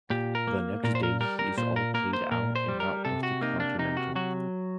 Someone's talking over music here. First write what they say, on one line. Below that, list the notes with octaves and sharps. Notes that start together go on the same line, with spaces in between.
The next day he is all played out and not worth a continental.
A#2 G4
A#4
A#3
A#2 A#4
C5
A#4
G3 A#4
A#4
A#2 C5
A#4
A#3 A#4
C5
A#2 A#4
C5
G3
A#4
C3 A4
F#4
A#3 D#4
D4
C3 D#4
F#4
F#3 F#4